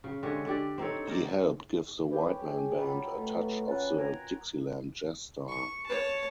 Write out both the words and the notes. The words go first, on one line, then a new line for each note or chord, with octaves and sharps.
He helped give the Whiteman band a touch of the Dixieland jazz style.
C#3
D3 G#3 G4 C#5
D3 G4 D5
C4 D#4 A4 C#5
D#4 A#4 D5
C#4 G4 B4
G#4
F#3 G3 F4
B2 A3
C#4 F4 F#5
A#4 G#5 A#5
C#6
C#5 A5